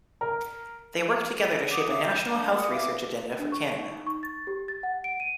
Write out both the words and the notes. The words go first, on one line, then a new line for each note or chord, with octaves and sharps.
They work together to shape a national health research agenda for Canada.
A#4
F#5 D6 D#6
E5 F5 D6 D#6
G6
D4
F#4 A#4 F#5 D#6
E4 B4 F5 D6
D4
C#6
D#4
D#4
C#6
A6
G4
A6
F#5
D7
D#7